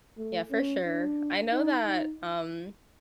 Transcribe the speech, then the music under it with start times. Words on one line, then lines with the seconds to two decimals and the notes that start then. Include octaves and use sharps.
Yeah, for sure. I know that, um
0.17 A3
0.51 C#4
0.84 D4
1.52 D#4
1.86 D#4